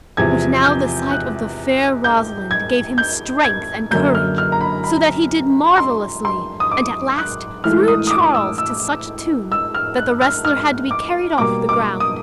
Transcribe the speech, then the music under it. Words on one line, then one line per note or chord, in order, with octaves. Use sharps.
But now the sight of the fair Rosalind gave him strength and courage, so that he did marvelously, and at last, threw Charles to such a tune, that the wrestler had to be carried off the ground.
E2 C3 F3 G#6
G6
F#6
G6
G#6
G6
G#6
F#2 D3 F#3 A#3 G6
F6
F6
A#5
B5
B5
C6
C6
D#6
D6
F#6
G#2 E3 A3 F6
D#6
D#6
D6
E6
E6
E6
F6
F#6
F6
F6
D6
B2 G3 A#3 D6
D6
D#6